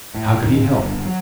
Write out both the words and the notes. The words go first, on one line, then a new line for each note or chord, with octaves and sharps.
How could he help?
A2
D#2
C3
G1
G1
F#3